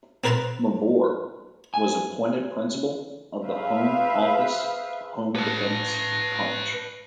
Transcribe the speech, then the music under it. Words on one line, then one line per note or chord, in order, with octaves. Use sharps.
Mavor was appointed Principal of the Home Office Home Defence College.
C4 A#4 B4 A5 A#5 C6
G#5
G#4 B4 C5 E5 F5
B4 A5